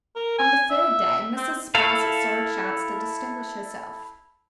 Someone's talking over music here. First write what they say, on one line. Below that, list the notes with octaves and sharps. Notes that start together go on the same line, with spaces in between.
On the third day Mrs. Sparsit saw a chance to distinguish herself.
A#4
G#5
E5
C4
E4 A4 F5